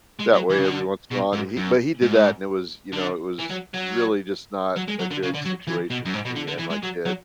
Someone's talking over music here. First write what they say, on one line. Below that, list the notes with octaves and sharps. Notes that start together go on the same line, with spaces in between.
that way every once in while, but he but he did that, and it was you know, it was really just not a good situation for me and my kid.
G#3
F#3
E3
C#3
D3
B2
G#2
F#2
G#2
D3
E3
F#3
F#3
F#3
G#3
F#3
D3
C#3
D3
F#3
E3
B2
F#2
G#2
B2
D3
D3
E3
G#3
F#3
F#3